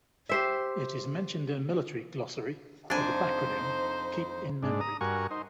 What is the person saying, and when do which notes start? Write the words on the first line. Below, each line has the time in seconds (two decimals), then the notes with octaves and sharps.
It is mentioned in a military glossary with the backronym "Keep In Memory".
0.29 G4 C5 E5
2.90 F2 D4 D#4 C5 G#5
4.63 G#2 D4
4.81 A#5 D#6
5.01 G2 F#4 A#4 G#5 C#6
5.31 D#4 C5